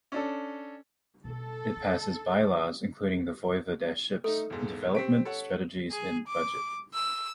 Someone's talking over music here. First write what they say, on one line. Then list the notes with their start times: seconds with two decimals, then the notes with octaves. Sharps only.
It passes bylaws, including the voivodeship's development strategies and budget.
0.12 C#4 D4 A4
1.24 B2 G3 A4
1.76 D2
4.24 A3 D#4 A4
4.50 E1 G#2
4.95 C4 C#4 G4 B6 D7
5.25 A4 C#5 F#5
5.91 G#4
6.27 D6
6.95 E6